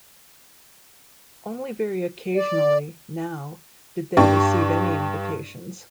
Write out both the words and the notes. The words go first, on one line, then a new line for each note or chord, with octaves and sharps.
Only very occasionally, now, did they receive any invitations.
D5
G2 D4 G4 C#6